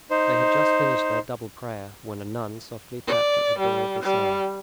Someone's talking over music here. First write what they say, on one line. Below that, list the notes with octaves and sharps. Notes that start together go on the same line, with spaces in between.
They had just finished their double prayer, when a nun softly tapped at the door of the cell.
D#4 C5
D5
G3
G3